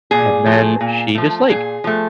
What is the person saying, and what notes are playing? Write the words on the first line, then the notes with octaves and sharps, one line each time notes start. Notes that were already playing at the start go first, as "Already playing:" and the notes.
and then she just, like,
A#2 G#4
F3 A3
A#2
F3 A3
A#2 G#4
F3 A3